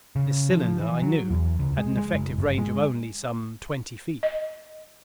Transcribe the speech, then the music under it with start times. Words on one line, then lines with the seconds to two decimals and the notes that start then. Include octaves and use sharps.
This cylinder, I knew, had an effective range of only some twenty feet.
0.16 C#3
0.50 F3
0.80 E3
1.02 F#3
1.31 E2
1.59 C#2
1.78 G#3
1.98 G#3
2.13 F#1
2.38 G1
2.58 G#3
4.23 D#5